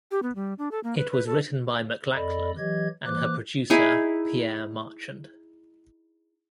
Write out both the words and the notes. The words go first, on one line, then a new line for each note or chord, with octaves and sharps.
It was written by McLachlan and her producer Pierre Marchand.
G4
B3
G3
D4
A4
A#3
B4
B4
A4
F2 A4 D5 D#5 B5
E3 F#3 G4 D#5 G#6
E3 A#3 C5 D6 F#6
D#4 E4 G#4